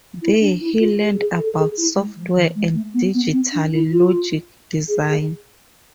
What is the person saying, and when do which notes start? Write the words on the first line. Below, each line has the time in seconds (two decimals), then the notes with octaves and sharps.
There, he learned about software and digital logic design.
0.22 E4
0.41 D4
0.61 E4
0.80 F4
0.99 G#4
1.19 G#4
1.39 A4
1.53 A4
1.58 G#4
1.78 E4
1.96 G#3
2.16 F3
2.36 E3
2.55 G#3
2.75 A3
2.94 B3
3.14 B3
3.32 C4
3.52 D4
3.72 E4
3.91 F4
4.88 G#4
5.08 G#4